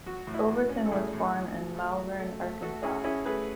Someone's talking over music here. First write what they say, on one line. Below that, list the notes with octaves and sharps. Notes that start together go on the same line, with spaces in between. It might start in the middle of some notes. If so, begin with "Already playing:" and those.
Overton was born in Malvern, Arkansas.
F#3 F#4
A2
E4
A2
C#4
A4
A2 E4 G#4
A2
A2
F#3
A3
F#3
A3
A3
A3 F#4 A4
C#4 E4 G#4
C#4 E4 G#4
A3 G#4 B4